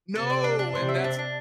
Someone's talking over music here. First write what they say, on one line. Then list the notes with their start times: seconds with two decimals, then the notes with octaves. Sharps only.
No, and that's
0.15 C3 A4
0.30 D5
0.44 D4
0.59 D4
0.75 C3 C5
0.89 E5
1.04 D4
1.19 D4